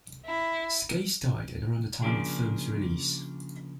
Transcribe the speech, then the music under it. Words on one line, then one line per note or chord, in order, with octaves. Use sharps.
Skase died at around the time of the film's release.
E4
C#3 F3 A#3 D4 G#4